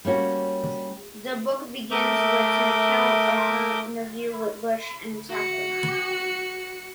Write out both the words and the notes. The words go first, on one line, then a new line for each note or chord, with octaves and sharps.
The book begins with an account of her interview with Bush and its aftermath.
G3 A#3 C#4 F#4
A3 A#4 E5 D6 D#6 G6
F#4 C#7